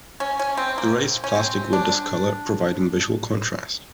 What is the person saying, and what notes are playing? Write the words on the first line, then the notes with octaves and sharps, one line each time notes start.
The raised plastic would discolor, providing visual contrast.
C#4
C#4
C4
A#3
C#4
C4
D4